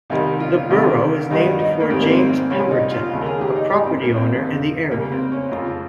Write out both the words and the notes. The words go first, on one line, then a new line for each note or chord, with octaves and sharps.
The borough is named for James Pemberton, a property owner in the area.
C2 C3 D#3 G3 D#4
F4
C2 C3 D#3 G3
G2 D#3 G3 D#4
D#4
A#3
G#2 D#3 G3 C4
A#3
C4
C4
C2 C3 G3 C#4
D#4
F4
D#2 C#3 F3
A#4
G#4
G4
D#4
G#2 G3 D#4
C4
A#3
C4
F2 C3 D#3
C#2 C#3 G3 A#3
C4
C#4
F2 C#3 F3 F4